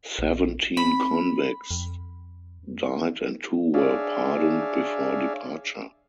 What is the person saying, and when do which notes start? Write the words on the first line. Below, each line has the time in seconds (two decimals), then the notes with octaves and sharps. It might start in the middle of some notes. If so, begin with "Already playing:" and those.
Seventeen convicts died and two were pardoned before departure.
0.19 A#1
0.77 C4 B5
1.71 F2
3.74 D4 G#4 C#5 D5 E5 F5